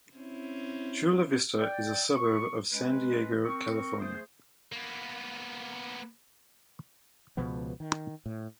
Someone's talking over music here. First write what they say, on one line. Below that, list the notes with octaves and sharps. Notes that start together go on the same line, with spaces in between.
Chula Vista is a suburb of San Diego California.
C4 C#4 E4
D5 G5
C#6
G#3 C#4 B4
C4 A#4 C#6
A3 G#4 C5
A#3 B3
C#2 B2 F3 B3
D#3
A2